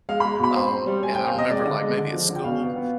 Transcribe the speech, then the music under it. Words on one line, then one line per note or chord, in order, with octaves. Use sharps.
Um, and I remember, like, maybe at school,
G#3 F5
G#3 B5
B2 B5
C4 C6
C4
G3
G3 G#5
C4 G5
F5
C3 D#5
G#3 D5
D3
G#3
D3
F3
D3
G5
B2 F5
B3
B3